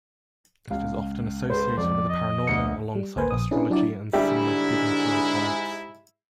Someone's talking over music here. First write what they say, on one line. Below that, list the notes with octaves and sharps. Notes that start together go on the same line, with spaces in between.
It is often associated with the paranormal, alongside astrology and similar divinatory arts.
C#2 F5
G#4 B4 C5
F2 D5
D#5
D2 C#7
G3
A1 D2 A#3 B4 C5 G#5
A#1 D#6
C#4 D4 E4 G#4 B4
F#3 D4 E4 F#4 D5
G#2 D3 G3 G#3 E4 G4 E5